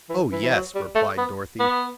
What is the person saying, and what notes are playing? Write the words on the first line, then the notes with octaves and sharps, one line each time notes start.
"Oh, yes," replied Dorothy.
E3
E3
E3
F#3
G3
A3
B3
B3